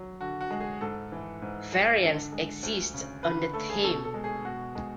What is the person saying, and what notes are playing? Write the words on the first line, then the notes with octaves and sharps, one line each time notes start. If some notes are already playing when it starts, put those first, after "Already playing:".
Variants exist on the theme.
Already playing: F#3
D3 F#4
F#4
G#3
G#4
G#2 A4
E3
G#2
G#3
D3
G#3
D2
C#3
D3 B4
A3 A4
G#4
B2 A4
A4
G#3
G#4
B2 F#4
G#3